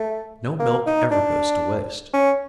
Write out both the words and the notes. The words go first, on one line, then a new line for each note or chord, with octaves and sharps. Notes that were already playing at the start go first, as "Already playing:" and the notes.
No milk ever goes to waste.
Already playing: A3
A#3
D#4
D4
C#4